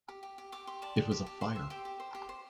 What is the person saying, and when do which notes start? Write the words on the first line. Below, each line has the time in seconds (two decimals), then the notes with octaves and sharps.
It was a fire.
0.09 G4
0.23 G4
0.38 G4
0.52 G4 D6
0.67 G4 C6
0.82 D5 A5
0.96 G4
1.11 G4
1.26 G4
1.41 C5
1.55 C5 E5
1.70 G4 G5
1.85 G4
2.00 C5
2.15 G4
2.29 C5